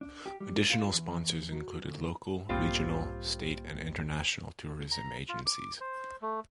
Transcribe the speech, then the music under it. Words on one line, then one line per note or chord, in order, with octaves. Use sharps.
Additional sponsors included local, regional, State and international tourism agencies.
D4
G4
G3
F4
E2
F#3
D2
B1 G#2 G3 A#3 C4 F4
A#5
F4
D6
C5
A3